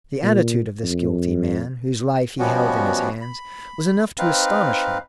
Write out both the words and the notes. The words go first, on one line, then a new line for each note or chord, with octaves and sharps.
The attitude of this guilty man, whose life he held in his hands, was enough to astonish him.
A#2
F2
B2 F3 G3 B3 C#4 F#4
B5
C4 D#4 B4 F5